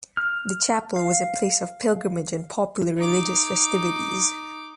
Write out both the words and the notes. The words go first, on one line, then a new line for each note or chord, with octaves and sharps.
The chapel was a place of pilgrimage and popular religious festivities.
F6
F5
D#4 D6